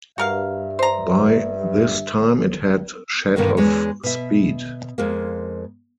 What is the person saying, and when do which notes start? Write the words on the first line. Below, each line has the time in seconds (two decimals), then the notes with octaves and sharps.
By this time it had shed of speed.
0.18 G2 F#4 A#4 E5 F5
0.79 C5 A#5
3.36 G2 B2 D3 D#3 A#3
3.57 E2 G#3 D4 C#5
4.03 B2 E5
4.98 F2 G#3 A#3